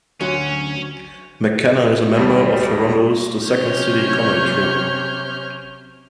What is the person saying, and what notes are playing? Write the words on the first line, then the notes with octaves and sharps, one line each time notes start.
McKenna is a member of Toronto's "The Second City" comedy troupe.
D2 F#3 C#4
D#2 G3
C3 F#3 C#4 C#5 F6 G6